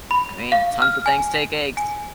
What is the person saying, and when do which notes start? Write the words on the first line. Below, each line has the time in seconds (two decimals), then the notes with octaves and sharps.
I mean, tons of things take eggs.
0.11 B5
0.52 F5
0.82 F6
1.06 G#5
1.77 G#5